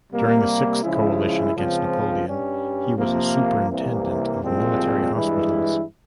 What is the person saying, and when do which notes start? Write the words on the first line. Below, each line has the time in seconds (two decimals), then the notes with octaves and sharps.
During the Sixth Coalition against Napoleon, he was a superintendent of military hospitals.
0.11 C3 G3 A#3
0.83 C#3 F3 G#3 E4
1.54 C#2 C#3 F3 C4
2.26 G2 G3 C#4
2.97 C3 F3 A#3
3.70 C2 C3 E3 A#3
4.41 C2 A#2 F3 G#3 C4
5.12 G2 E3 G#3 E4